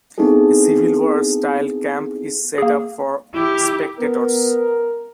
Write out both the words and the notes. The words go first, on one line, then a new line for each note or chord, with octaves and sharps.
A Civil-War style camp is set up for spectators.
B3 C4 D#4 E4 G#4 A4
A#3 G#4
E4 G4
B3 A#4